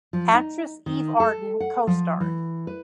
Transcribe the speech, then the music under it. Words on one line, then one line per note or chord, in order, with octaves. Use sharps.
Actress Eve Arden co-starred.
F3
D#4
D#3
A4
F#5
F3
E3
B4